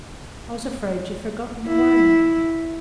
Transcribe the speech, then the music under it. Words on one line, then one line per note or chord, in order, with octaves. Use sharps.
I was afraid you'd forgotten the way.'
E4